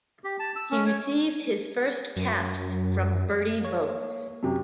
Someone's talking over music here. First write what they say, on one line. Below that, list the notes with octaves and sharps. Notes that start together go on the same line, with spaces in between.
He received his first caps from Bertie Vogts.
G4
A5
E6
C#4
C#5
F#2
A#3 C#5
F#2 C3